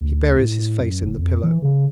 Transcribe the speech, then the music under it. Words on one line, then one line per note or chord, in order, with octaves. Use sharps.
He buries his face in the pillow.
D2
A2
F#2
F#1
F2
E3
C#3